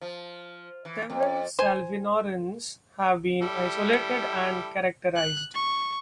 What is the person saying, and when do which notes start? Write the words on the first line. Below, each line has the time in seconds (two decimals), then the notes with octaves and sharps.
Several salvinorins have been isolated and characterized.
0.01 F3
0.85 E3
1.10 F2
1.59 C5 G#5
3.42 G3 E4 A4
5.16 F#6
5.54 C#6